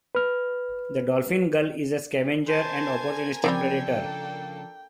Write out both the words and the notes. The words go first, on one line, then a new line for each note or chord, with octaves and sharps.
The dolphin gull is a scavenger and opportunistic predator.
B4 F6
A#4 C5 G#5 A5 G#6
C#3 F3 G3 C4 C#4 D5 G5
A#3 D4 A4